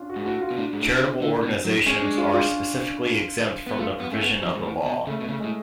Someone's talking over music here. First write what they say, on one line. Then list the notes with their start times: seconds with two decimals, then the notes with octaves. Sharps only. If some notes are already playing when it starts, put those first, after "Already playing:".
Charitable organizations are specifically exempt from the provision of the law.
Already playing: C#4 D4 F4
0.10 F#4
0.16 G#2
0.25 A2 F#4
0.41 F4
0.51 B2
0.58 A2 D4
0.73 G#2
0.80 A2
1.01 C#3
1.22 D3
1.43 B2
1.65 F#3
1.86 G#3 C#4
2.02 D4
2.18 F4
2.34 F4
3.66 B3
3.78 A3 F4
4.00 B3
4.11 A3 C#4
4.21 B3
4.43 F3
4.55 G#2
4.65 A2
4.86 B2
5.07 C#3 A3
5.21 B2 A3
5.29 C#3
5.40 A2 G#3